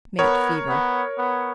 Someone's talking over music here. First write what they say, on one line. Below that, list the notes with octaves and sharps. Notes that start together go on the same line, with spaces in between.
Mate fever.
B3 A#4 C#5
B3
B3